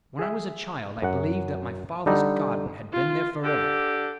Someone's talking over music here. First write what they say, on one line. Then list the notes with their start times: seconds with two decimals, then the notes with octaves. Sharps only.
When I was a child I believed that my father's garden had been there for ever....
0.19 G#4 E5
1.02 F#2 F#5
2.06 D3 G3 D#4
2.93 F4
3.43 D3 D4 G4 A4